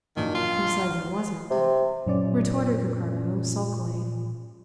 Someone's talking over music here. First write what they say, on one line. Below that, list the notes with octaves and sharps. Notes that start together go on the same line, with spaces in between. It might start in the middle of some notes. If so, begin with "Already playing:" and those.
"Who says it wasn't?" retorted Ricardo sulkily.
A#1 F#2 D#3
F4
C3
F#2 A#2 C#4 D5